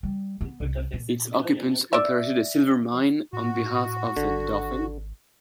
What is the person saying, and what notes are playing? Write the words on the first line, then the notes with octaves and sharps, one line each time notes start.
Its occupants operated a silver mine on behalf of the Dauphin.
G3
B3
C2
A#2
D5 E5
A2 F#4
G#1 D3